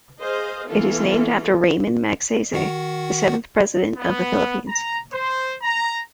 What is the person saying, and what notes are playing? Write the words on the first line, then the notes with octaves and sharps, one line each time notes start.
It is named after Ramon Magsaysay, the seventh President of the Philippines.
G#4 C5 D#5 F5
E3 B3 F4 A4
D#3 F#4 F#5
B3
A#5
C5
A#5